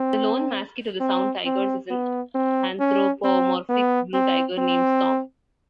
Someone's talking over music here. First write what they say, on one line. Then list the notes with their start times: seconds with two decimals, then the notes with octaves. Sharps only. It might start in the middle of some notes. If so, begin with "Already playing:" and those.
The lone mascot of the Sound Tigers is an anthropomorphic blue tiger named Storm.
Already playing: C4
1.00 C4
1.45 C4
1.90 B3
2.35 C4
2.80 C#4
3.24 C4
3.69 B3
4.14 C4
4.58 C4